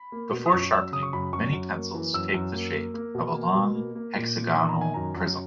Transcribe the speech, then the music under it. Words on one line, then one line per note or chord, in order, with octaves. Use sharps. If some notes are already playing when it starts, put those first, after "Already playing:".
Before sharpening, many pencils take the shape of a long hexagonal prism.
Already playing: B5
A#3
B2
D#6
F#2 C#6
F#2 E6
C#3 D#6
C#6
F#2 B5
F#2 C#6
F#2
A#3
E3
F#2 E6
F#2
A#3
A#3
A#3
B2
A#3
B2
A#3
A#3
A#2
A#2
D#3 B5
A#5
D#3 G#5
F#2 A#5
F#2